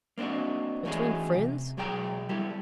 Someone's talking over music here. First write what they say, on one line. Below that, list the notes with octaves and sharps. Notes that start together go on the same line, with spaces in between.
Between friends?
A#3 C4 D4 D#4 F#4
E3 A3 C#4 D#4 F#4 G#4
C3
B1 F#3 G4 G#4 G5 A#5
G3 E4 G4 A4